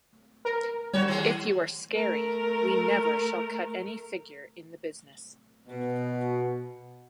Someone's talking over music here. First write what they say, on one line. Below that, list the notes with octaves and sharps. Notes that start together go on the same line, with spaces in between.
If you are scary, we never shall cut any figure in the business.
A#4
D#2 G3 F#4 C#5 E7
D#3 G#3
A3 A#4
B2